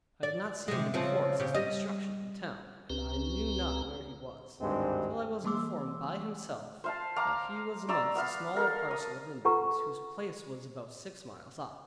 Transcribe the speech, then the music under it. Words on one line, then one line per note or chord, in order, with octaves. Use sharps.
I had not seen him before, since the destruction of the town, and I knew not where he was, till I was informed by himself, that he was amongst a smaller parcel of Indians, whose place was about six miles off.
D5
C3 G#3
C#3 F3 C4
C#3 G4
G3 D#5
C#2 C4 G4 B4 A#5
G#1 D2 G2 G#3 C4
E3 G3 A#3 C6 D6 E6
C5 F5 A5
F5 A#5 D6
D5 A#5 C#6 E6
B3 F5
A4 A#4 F5
D#6
F4 A4 B4 F#5 A#5 C#6